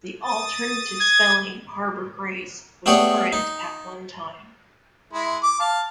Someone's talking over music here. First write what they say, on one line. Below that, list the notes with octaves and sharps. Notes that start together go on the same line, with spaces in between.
The alternative spelling Harbor Grace was current at one time.
D#6 A6
G#6
A3 B3 G4 G#4 C#5 D5
D#4
G#3 E4
D6
F5 A5